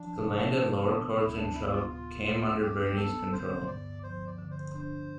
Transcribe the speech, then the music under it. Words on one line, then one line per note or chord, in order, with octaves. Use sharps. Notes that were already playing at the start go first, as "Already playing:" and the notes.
The land and lower courts in Trub came under Bernese control.
Already playing: F3 D4
C3
B3
B3
D2 E4
D4
B3 E4
F4
A2 F4
B3 F4
G3 G4
B3 A4
D3 C5
G2 D5
F3 C5
D5
D3
C5
D4 C5